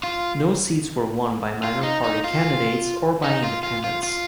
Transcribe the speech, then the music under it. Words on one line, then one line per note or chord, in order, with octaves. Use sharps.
No seats were won by minor party candidates or by independents.
F4
F4
D#4
D#4
F4
D#4
F4
F4
F4
F4